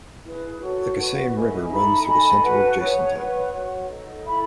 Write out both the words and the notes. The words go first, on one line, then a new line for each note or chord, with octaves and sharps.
The Kesang River runs through the center of Jasin Town.
E4 G#4 B4
F#4 A4 C#5
F#4 B4 F#5 C#6
E4 G#4 D#5 G#5
D#4 A4 E5 B5
A4 D#5 G#5 B5
F#4 B4 F#5 A5
G#4 C#5 F#5 C#6
B4 F#5 C#6
F#4 C#5 F#5
D#4 A4 D#5
E4 A4 E5 B5